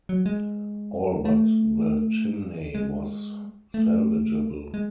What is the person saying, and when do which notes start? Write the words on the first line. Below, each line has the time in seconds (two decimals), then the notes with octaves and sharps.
All but the chimney was salvageable.
0.09 F#3
0.26 G#3
1.25 A3
2.75 G#3
3.74 A3
4.74 G#3